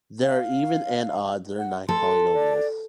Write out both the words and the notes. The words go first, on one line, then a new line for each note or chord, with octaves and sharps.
There are even and odd Zernike polynomials.
F5
F#5
A4 C6
D5